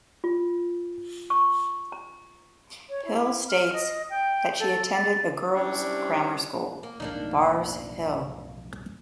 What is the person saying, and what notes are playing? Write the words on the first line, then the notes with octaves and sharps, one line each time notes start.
Hill states that she attended a girls' grammar school, Barr's Hill.
F4
C#6
A#5
C#5
E4
F6
D#5
G5
A4
A6
C3 G3 C#4 D4 E4 C#5
A#3
B1 F2 A2 A#3 D4 D#4